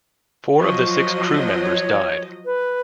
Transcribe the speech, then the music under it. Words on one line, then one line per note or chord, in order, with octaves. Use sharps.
Four of the six crew members died.
F3 F#3 D#5 C#6
C#5
B4